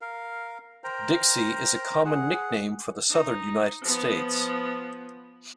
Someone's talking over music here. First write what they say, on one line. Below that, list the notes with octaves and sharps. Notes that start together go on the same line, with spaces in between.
"Dixie" is a common nickname for the southern United States.
A#4 F5
A#4 C5 G5 A#5
G#4 F#5
D#4
F3 B3